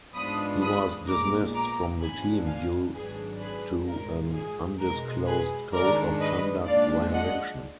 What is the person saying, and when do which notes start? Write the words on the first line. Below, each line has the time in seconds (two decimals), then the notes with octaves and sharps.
He was dismissed from the team due to an undisclosed code of conduct violation.
0.14 G#2 F3 G#3 B3 D4 B5 D#6
0.61 B5 D#6
1.07 A#1 A#2 G#3 B3 A#5 D6
1.55 A#5 D6
2.01 G#2 F3 B3 D4 G#5 B5
2.47 F5 G#5
2.94 G#1 G#2 F#3 D4 G#4 B4
3.40 G#4 B4
3.86 A#1 G#2 F3 G#3 A#4
4.34 G#4
4.79 B1 B2 G#3 A#4
5.26 G#4 B4
5.73 G#2 D#3 G#3 D4 A#4 D5
6.20 B4 D#5
6.66 A#2 F3 G#3 D4 D5 F5
7.12 D#5 F#5